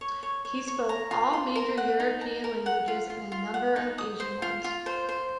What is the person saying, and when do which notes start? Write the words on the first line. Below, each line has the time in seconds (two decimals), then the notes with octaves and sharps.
He spoke all major European languages and a number of Asian ones.
0.01 C#5
0.23 C#5
0.45 C#5
0.67 C#5
0.89 A#5
1.11 F4
1.33 C6
1.56 A#4
1.77 F#5
2.00 D#4
2.21 A#5
2.44 A#4
2.66 F#5
2.88 F4
3.10 F4
3.32 F4
3.54 F#5
3.76 D#4
3.98 D#6
4.20 C5
4.42 F4
4.64 F4
4.86 C5
5.09 C5